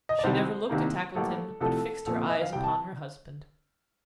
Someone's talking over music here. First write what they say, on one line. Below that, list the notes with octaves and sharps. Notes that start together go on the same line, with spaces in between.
She never looked at Tackleton, but fixed her eyes upon her husband.
D#5
D5
C2 C3 D#3 G3 C5
C2 C3 D#3 A#3
A1 A2 G3 A#3 A4
C2 C3 F3 A3 A4
A#1 A#2 F3 C4 A4
A4
D#5
F5
C2 C3 G3 G5
A5